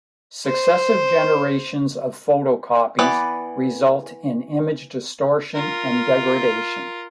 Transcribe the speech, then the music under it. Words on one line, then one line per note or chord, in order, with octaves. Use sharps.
Successive generations of photocopies result in image distortion and degradation.
C5
E3 B3 B4 D5
F4 A#4